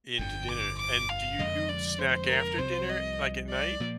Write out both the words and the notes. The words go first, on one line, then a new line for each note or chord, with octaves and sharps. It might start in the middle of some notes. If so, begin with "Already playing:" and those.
into dinner. And, do you snack after dinner, like, at night?
G1 F2 D3 G5
D6
D6
F5
F1 F2 D3 G#3 D#5
D5
C5
A#4
C2 C3 F3 C4 C5
D#5
D5
A#2 F3 A#3